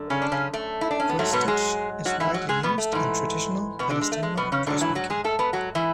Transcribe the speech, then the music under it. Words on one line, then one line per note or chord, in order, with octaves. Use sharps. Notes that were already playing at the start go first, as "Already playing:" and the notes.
Cross stitch is widely used in traditional Palestinian dressmaking.
Already playing: F#2 D3
C#3 C#4
D4
C#3 C#4
A3
E4
D4
C#4
B3
G#2 F#3 A3
B2 B3
G#3 G#4
F#3 F#4
E3 E4
F#3 F#4
G#3 G#4
B2 B3
A3
G#2 E3
B2 B3
D3 D4
G#3
A3
G#3
B2 B3
C#3 C#4
G#2 D3 F#3 D4
E3 E4
F#3 F#4
G#3 G#4
A3 A4
B3 B4
F#3 F#4
E3 E4